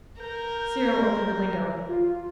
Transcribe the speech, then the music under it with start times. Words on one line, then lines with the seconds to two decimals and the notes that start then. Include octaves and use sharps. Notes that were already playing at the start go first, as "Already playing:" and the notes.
Cyril opened the window.
0.20 A#4 G6
1.89 F4